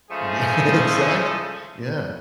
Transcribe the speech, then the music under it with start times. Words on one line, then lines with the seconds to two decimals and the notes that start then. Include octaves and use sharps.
Yeah, exactly. Yeah.
0.11 C#3 F3 G#3 A3 G#4 A4